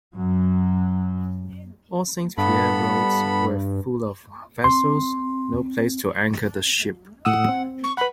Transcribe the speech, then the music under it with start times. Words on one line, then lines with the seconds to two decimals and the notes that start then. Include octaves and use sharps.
All Saint Pierre roads were full of vessels, no place to anchor the ship.
0.15 F#2 F#3
2.38 G2 B3 A4 B5
4.64 C4 C6
7.25 A2 F#5 D#6 E6
7.49 C4
7.84 C#6
7.97 B4 F#5 B5